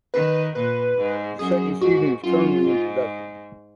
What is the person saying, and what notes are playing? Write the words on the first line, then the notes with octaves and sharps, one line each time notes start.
A second season is currently in production.
D#3 B4
A#2 B4
G#2
F#2 G#4
G#2 F#4
F#2 F4
G#2